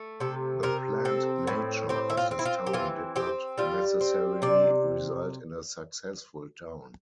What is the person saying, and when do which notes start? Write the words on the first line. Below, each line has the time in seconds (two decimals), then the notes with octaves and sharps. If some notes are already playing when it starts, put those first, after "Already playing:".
The 'planned' nature of this town did not necessarily result in a successful town.
Already playing: A3
0.20 C3 A4
0.63 C3 A#4
1.05 C4 A4
1.47 A2
1.89 C4 G4
2.10 E4
2.17 F4
2.31 C4
2.39 E4
2.46 F4
2.67 G4
2.73 E3 F4
3.16 C4 G4
3.58 G3 F4
4.01 C4
4.42 C3 D5